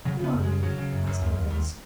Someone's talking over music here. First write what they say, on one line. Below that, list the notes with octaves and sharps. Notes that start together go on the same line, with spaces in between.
'Who are you?' asked the prince.
C#3 F#3
C#3 B3
F#2
G#3
C#3
C#3 F#3
C#3
F#2
F#2
D#2
D#2
D#2